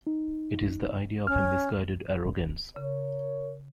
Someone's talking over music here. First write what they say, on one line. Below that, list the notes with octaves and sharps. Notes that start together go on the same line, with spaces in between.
It is the idea of a misguided arrogance.
D#4
C#4 F6
C#3 A#4 C#5